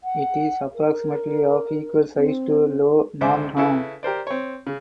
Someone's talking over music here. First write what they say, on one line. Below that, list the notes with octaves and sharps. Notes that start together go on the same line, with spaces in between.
It is approximately of equal size to Low Marnham.
F#5
A#4
C4
G#1 C#2 C5 D5 E5 D6
C#3 E4 A4 B4
G4 A#4 C5 D5
C4 C#5
C#3